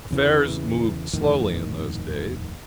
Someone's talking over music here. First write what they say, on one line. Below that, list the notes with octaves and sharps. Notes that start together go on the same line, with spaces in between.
Affairs moved slowly in those days.
E2 C#3 E3
D#1 F2 A2 D#3